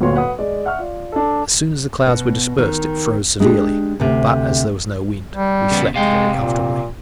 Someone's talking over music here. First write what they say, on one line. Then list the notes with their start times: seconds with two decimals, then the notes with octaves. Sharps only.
As soon as the clouds were dispersed it froze severely; but as there was no wind, we slept very comfortably.
0.01 D1 A#2 B3 C#5 C6
0.15 B4 F#5 D#6
0.38 G#3 D5 D#5
0.65 E5 F#5 C#6 F6
0.79 F4 D5
1.12 D4 A4
2.07 B2
2.58 D#3
3.40 G#3 D4 G4
4.00 D2 C3
5.34 G3
5.71 C#3 B3
5.94 C3 G#3 F5 G5
6.36 A#2